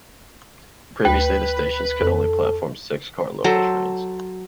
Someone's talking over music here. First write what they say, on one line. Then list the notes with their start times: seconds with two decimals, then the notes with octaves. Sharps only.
Previously the stations could only platform six-car local trains.
1.05 D2 B4 G5
2.01 F2 A4
3.44 F#3 A4 C5